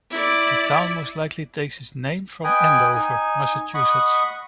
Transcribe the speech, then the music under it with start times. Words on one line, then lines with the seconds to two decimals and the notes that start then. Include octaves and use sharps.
The town most likely takes its name from Andover, Massachusetts.
0.11 E4 D5
2.44 B4 D#5 G5 G#5
2.95 D#4 G#5
3.74 D#5 F#5 B5 C#6